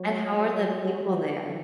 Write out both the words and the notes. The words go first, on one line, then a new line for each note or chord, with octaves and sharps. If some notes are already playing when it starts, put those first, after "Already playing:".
And how are the people there?
Already playing: F#3
E3
E3
D3